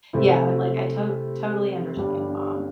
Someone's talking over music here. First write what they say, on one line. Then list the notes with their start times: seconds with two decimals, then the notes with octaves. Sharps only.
yeah, I'm like, "I to totally understand, mom."
0.13 C3 A3 E4 C5
1.96 G1 G2 G3 D4